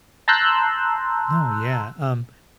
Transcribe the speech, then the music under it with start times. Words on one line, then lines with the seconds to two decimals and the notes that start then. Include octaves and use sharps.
No. Yeah, um,
0.28 A5 A#5 C6 E6 F#6 G6